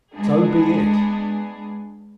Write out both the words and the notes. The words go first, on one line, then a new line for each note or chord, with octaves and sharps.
"So be it."
G#3 B3 D4 G#4